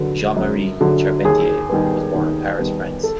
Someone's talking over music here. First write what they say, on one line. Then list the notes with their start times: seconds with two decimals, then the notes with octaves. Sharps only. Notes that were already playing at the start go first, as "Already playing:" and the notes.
Jean-Marie Charpentier was born in Paris, France.
Already playing: D3 F#3 B4
0.36 F#2
0.81 D3 F#3
1.25 D#2 G#4
1.69 D#3 G3 B3
2.15 D#2
2.59 D#3 G3 B3
3.03 A4